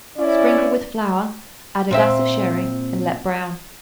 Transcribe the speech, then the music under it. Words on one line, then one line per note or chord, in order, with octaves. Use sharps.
Sprinkle with flour; add a glass of sherry and let brown.
C#4 E4 D5
A#2 C4 E5